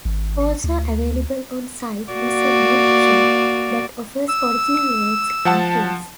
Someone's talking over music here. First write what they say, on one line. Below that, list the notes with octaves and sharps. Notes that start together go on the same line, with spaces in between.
Also available on sight is a gift shop that offers original works and prints.
G#1
D2
A#3 F#4 D5
E6
F3 F#5 A5